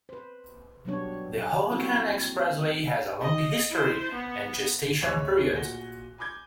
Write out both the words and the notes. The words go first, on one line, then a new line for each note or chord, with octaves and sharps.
The Hohokam Expressway has a long history and gestation period.
B4 C5
B2 F#3 G3 B3 D4 C#5
G3 A#3 C4 E4 F#4 A4
D#5
E4 C5
B3
D1 C#5 D#5 E5 D6 F#6
A#2 F#4 G#5 A#6 G7
G#5 B5 D6 G6 G#6